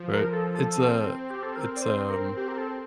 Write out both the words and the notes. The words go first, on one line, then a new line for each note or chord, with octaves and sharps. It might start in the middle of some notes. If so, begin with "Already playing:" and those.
Right, it's a it's, um
Already playing: F3
A#4
A4
A4
C4
G4
A4
A#4
D5
C5
A#4
C4 G4
A#4
A4